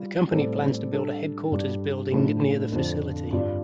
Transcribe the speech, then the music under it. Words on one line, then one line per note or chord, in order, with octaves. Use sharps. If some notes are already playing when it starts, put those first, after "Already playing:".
The company plans to build a headquarters building near the facility.
Already playing: G3 F4
A2 G3 C4 A4 D5
G3 D4 A4
G2 G3 D4 G4 D5
A2 F3 A3 D4
F2 D3 F3 D4
G2 G3 F4 D5